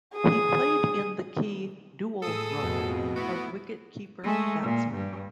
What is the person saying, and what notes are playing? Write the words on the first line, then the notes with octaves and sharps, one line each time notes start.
He played in the key dual role of wicketkeeper-batsman.
G#4 D#6
A2 G#4 A4 D#6 E6
F2 B2
A3 B3 E4 F#4
G#3 A3
A#2
G2